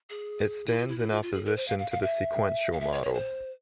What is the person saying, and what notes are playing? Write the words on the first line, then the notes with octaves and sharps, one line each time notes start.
It stands in opposition to the sequential model.
G#4
E4
F4
E4
E4
F4
F4
G#4
A#4
C5
F5
F5
F5
E5
F5
E5
C#5
C#5
C5